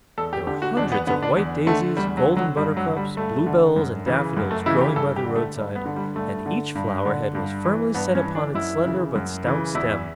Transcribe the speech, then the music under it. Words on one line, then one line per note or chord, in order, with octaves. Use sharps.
There were hundreds of white daisies, golden buttercups, bluebells and daffodils growing by the roadside, and each flower-head was firmly set upon its slender but stout stem.
E2 A4
G4
D3 G4
F#4
E2 D4
B3
D3 B3
D4
E2
D3 A3
E2 G3
F#3
D3
F#3
G2 G3
F#3
D3
G3
G2 A3
D3
F#2
C#3 E3
F#2
A3
C#3 E3 E4
G4
G2 A4
G4
D3
A3
G2
B3
D3
G3
G2 A3
D3
G2
D3
G2
E3
G2 B3
C#4
E3
D4
F#2 E4
C#3 E3
F#2
C#3 E3
E2 E4